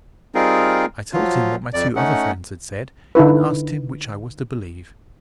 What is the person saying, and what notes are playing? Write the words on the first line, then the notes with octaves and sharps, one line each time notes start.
I told him what my two other friends had said, and asked him which I was to believe.
G3 C4 D#4 F4 G#4 A#4
F3 F#3 F4
F2 D5
A3 C#4 D#4 F#5
D3 D#4 E4 B4